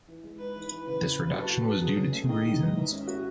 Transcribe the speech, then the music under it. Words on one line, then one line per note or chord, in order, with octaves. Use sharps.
This reduction was due to two reasons.
E3
G#3
D#4 B4
E3
E3
C#3 B4
C#3
F#3
F#4 A4
F#4
B4
F#3 G#4
C#4
A3
D#3 D#5
D#3
E2
G#2 E5
C#4
F#4